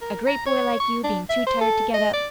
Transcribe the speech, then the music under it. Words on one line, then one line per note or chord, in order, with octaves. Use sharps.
A great boy like you bein' too tired to get up!
A#4
A#5
C#5
C#6
D4
E5
C5
A4
D#5
D5